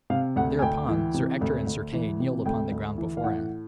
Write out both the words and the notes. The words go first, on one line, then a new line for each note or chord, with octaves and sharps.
Thereupon, Sir Ector and Sir Kay kneeled upon the ground before him.
C3 F5
D2 F#5
G#5
D2 G5
E3
C3
D2
D2
E3
C3
D2 G5
D2
E3
F5
A2 F#5